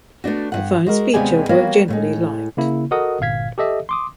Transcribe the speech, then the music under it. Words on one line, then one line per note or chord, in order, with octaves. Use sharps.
The phones features were generally liked.
A3 B3 D4 F#4
G2 D#3 F#5
G#3 F#4 A#4
D#2 C3 G#3 B3 D5 G#5
G3 A#3 B3 F#4 C#5 F5
A2 F#3 G#3
C#3 A#3 E4
F#4 A4 A#4 D#5 F#5 D#6
G1 A#2 F5 G#6 B6
G4 A4 D#5 E5
C6 D6 D#6